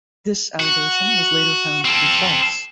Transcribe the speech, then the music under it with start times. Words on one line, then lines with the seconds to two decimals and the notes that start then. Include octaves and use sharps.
This allegation was later found to be false.
0.60 F#4
1.85 C4 A4